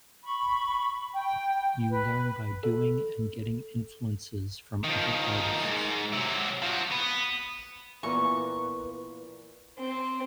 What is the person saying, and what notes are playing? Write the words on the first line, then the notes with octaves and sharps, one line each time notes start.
You learn by doing and getting influences from other artists.
B5 C#6
G5
B4
A4
D#3 F3
D2 G#2
C3 F#3
F3 F#4
B3
A#2 E3 F3 B3 A#4 B4 C#6
C4